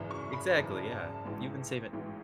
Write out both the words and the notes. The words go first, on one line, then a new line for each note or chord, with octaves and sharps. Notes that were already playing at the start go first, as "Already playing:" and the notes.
Exactly, yeah, you've been saving
Already playing: G#1 F#2 C#3 E3
C#6
B5
G#1 F#2 C#3 E3 A5
A5
A1 G#2 E3
A1 G#2 E3